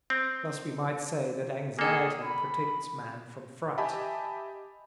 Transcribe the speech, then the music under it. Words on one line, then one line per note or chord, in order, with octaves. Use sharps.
Thus we might say that anxiety protects man from fright.
C4
A#3 G#4 A4
B5
G4 D#5 E5 G#5 A5 B5